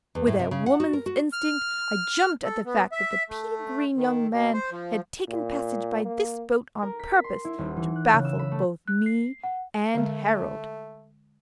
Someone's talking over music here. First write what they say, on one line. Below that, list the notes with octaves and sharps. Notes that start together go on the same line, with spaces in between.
With a woman's instinct, I jumped at the fact that the pea-green young man had taken passage by this boat, on purpose to baffle both me and Harold.
E2
A2
C3
C#3
F#5
F#4
A#4
F#4
F6
A4
B3
E5
A3
D#3
B2
C5
F3
A#2
A#3
A#4
B6
C6
E4
D#1
E3
F#6
C#3
E6
B5
A3
F#6
C7
F#5
D3 G#3 A3